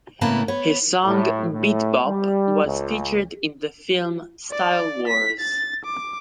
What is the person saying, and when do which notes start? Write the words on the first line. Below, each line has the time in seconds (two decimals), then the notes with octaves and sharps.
His song "Beat Bop" was featured in the film "Style Wars".
0.21 A2 C#3 A#3 B3 E4 A5
0.48 B3 C#5
1.06 A2
1.52 A2
2.05 G3
2.64 C#2
4.51 D5
5.08 B6
5.40 A6
5.85 D6